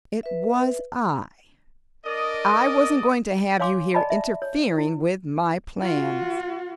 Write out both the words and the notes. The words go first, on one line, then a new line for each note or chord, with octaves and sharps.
"It was I. I wasn't going to have you here interfering with my plans."
B4 E5
D4 A#4 D5 D#5 D#6
C#5 F5 G#5 C6 D6
D5 D#5 G#5 A5 B5
E5
C#5
E4
F4 F#4